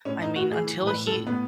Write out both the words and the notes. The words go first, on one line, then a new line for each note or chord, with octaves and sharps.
I mean, until he,
A2 C#4
A2 D#4
A2 F#4
E3 G#4
E3
A2 B4
A2
A4
A2
A2 B3